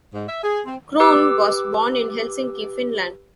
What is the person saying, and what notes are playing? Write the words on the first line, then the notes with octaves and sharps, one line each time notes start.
Krohn was born in Helsinki, Finland.
G#2
E5
G#4
C4
G4 B4 D6 E6